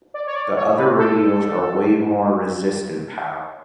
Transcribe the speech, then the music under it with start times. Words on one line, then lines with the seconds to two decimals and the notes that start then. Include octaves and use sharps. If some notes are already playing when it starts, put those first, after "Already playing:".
The other radios are way more resistant, Pau!
0.14 D5
0.27 C#5
0.35 D5
0.56 C#5
0.77 B4
0.98 A4